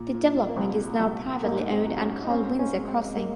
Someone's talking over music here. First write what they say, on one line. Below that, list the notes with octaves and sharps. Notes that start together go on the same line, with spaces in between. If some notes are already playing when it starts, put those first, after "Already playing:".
The development is now privately owned and called Windsor Crossing.
Already playing: A#2
A#2
A#3
C2 C4
C2
G#2 A#3
C4
F#3
C#4
D#4
C4 C#4
C#4
G#3
C4
A#3